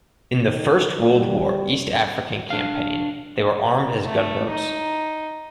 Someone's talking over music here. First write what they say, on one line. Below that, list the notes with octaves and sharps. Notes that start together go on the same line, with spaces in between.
In the First World War East African Campaign, they were armed as gunboats.
D#3
G3
D4 F5
A3
D#4